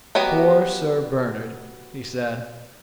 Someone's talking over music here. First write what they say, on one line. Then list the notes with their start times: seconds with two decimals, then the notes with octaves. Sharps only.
"Poor Sir Bernard," he said.
0.15 F#3 B3 G4 D#5